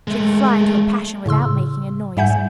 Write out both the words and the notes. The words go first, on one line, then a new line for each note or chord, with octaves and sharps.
She could fly into a passion without making a noise.
G#3 A3
A2 C#3 C6 E6
G#2 G3 E5 F#5 G#5 G6